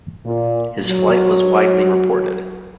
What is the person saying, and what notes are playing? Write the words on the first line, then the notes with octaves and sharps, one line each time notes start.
His flight was widely reported.
A#2
F#3